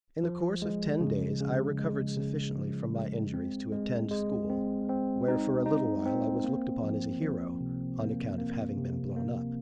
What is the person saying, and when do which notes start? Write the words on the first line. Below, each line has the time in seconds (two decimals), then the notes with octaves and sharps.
In the course of ten days I recovered sufficiently from my injuries to attend school, where, for a little while, I was looked upon as a hero, on account of having been blown up.
0.24 F3
0.62 G#3
1.01 C#3
1.40 C#3
1.79 G#3
2.17 C#3
2.56 F3
2.95 G#3
3.34 C4
3.72 G#3
4.11 G#3
4.50 C4
4.89 C4
5.28 D#4
5.66 D#4
6.06 C4
6.44 A#3
6.83 F3
7.22 F3
7.60 C3
7.99 A#3
8.38 A#3
8.77 C3
9.16 A#3